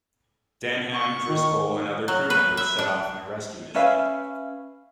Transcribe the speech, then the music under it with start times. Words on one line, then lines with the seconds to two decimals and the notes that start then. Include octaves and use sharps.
Denham, Driscoll, and other crew members set off in a rescue mission.
0.92 C#6
1.28 D#3
2.08 F#3
2.30 B4
2.57 E5
2.79 D4
3.75 C#4 B4 E5 F5